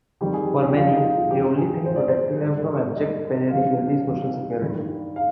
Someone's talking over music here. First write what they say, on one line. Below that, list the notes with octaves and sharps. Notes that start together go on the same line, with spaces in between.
For many, the only thing protecting them from abject penury will be Social Security.
F2 D#3 G3 G4
G#4
G#4
G4
F2 D#3 G3 F4
D#4
F4
F4
G#2 F3 G4
G#4
G#2 F3 C5
D5
C5
G#2 G3 D5
G#2 G3 D#5
F2 D#3 G3 F5
F2 D#3 G3
G2 D#3 G3
F5